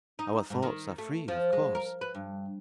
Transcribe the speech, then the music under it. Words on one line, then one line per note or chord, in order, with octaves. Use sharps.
'Our thoughts are free, of course.
D#4
G#2
D#3
A3
F3
G#3
A#4
B4
G2